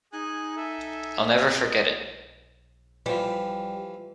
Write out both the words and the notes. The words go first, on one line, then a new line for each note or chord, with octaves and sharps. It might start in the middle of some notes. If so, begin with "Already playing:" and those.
I'll never forget it.
D#4 G#4 G#5 F#6
A4 E5 G#5
C4 D6
D#5 G5
E3 F3 G3